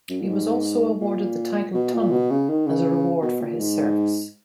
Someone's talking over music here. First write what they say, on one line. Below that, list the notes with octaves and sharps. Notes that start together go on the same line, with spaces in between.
He was also awarded the title Tun as a reward for his service.
F#2
A#2
G#2
A#2
B2
A#2
B2
C#3
D#3
C#3
B2
A#2
G#2